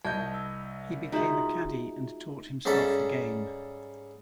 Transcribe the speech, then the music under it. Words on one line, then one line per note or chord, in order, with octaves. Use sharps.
He became a caddie and taught himself the game.
C2 D#5 A5 G6 G#6
E6
G#3 D#4 F4 F#4 E5
G#2 G3 C#4 G#4 A4 E5